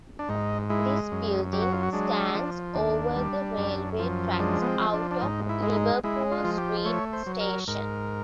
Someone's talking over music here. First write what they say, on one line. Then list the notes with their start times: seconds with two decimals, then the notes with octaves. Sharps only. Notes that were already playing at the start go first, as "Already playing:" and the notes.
This building stands over the railway tracks out of Liverpool Street station.
0.19 D4
0.29 G#2 D#4
0.70 G#3 E4
1.12 F#2
1.53 F#3 G4
1.62 F#4
1.72 F4
1.83 F#4
1.93 G#3 D4
2.35 F3
2.75 D#2 D4
3.16 G3
3.57 F#2
3.99 F3
4.40 G#3 D4
4.62 B3
4.67 C4
4.80 F3
4.94 D4
5.11 D4
5.21 G#2 D#4
5.49 E4
5.62 G#3
5.72 E4
5.76 D#4
6.04 G#3 E4
6.31 F4
6.45 F3
6.58 G4
6.85 A3 C#5
7.13 C5
7.26 F#3
7.40 A#4
7.68 G#2 A#4